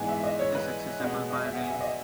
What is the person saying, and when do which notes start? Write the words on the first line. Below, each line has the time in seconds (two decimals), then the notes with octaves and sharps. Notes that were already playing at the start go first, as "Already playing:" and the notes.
It is accessible by rail.
Already playing: G#2 E3 G#3 B3 G#5
0.09 E5
0.24 D#5
0.39 C#5
0.55 B4
1.00 B2 G#3 B3
1.31 D#5
1.45 E5
1.53 F#5
1.61 G#5
1.71 E5
1.81 D#5